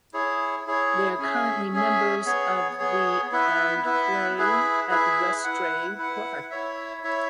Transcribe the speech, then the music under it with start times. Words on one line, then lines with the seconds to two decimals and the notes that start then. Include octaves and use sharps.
They are currently members of the and play at Westray Park.
0.13 E4 G#4 C#5
0.67 E4 G#4 C#5
1.19 C#4 G#4 E5
1.73 C#4 G#4 E5
2.26 B3 G#4 C#5
2.78 B3 G#4 C#5
3.32 B3 E4 B4 E5
3.85 B3 E4 B4 E5
4.38 E4 G#4 B4 E5
4.90 E4 G#4 B4 E5
5.44 E4 B4 F#5
5.98 E4 B4 F#5
6.50 E4 C#5 E5
7.04 E4 C#5 E5